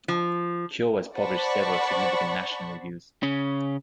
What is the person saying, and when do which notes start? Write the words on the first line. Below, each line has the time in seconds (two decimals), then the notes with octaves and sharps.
Keogh has published several significant national reviews.
0.08 F3
1.16 C5 D5 F#5 A5 B5 C#6
3.23 C#3 C#4